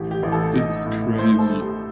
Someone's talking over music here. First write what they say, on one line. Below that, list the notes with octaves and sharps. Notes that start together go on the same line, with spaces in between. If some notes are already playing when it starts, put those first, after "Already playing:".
It’s crazy.
Already playing: A1 G4
G4
A1
A4
D#4
A2
A3 C5
A4
A3
G4